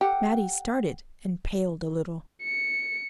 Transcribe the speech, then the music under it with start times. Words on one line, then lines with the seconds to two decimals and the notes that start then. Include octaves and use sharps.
Mattie started and paled a little.
0.01 G4 A4 F#5 G5
2.43 C#7